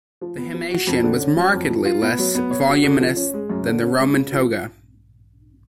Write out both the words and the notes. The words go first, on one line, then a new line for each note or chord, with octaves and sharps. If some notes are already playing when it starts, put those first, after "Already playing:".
The himation was markedly less voluminous than the Roman toga.
F3
B3
F3
F#4
F2
D3
C#4
F#3
F2
F3
F4
B3
F#3
B3
C#5
F#4
D3
F3
C#4
G#3
F#2
D3
C#4
G#3
C#3
F3